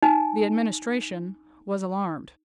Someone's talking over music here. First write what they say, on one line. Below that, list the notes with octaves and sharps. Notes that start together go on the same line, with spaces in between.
The Administration was alarmed.
D#4 G#5